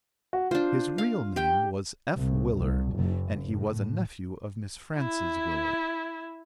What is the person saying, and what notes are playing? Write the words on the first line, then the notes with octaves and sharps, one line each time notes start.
His real name was F. Willard and he was a nephew of Miss Frances Willard.
F#4
D4 F4 C5
F5
G4 G5
C2
C2
F#1
A2
E4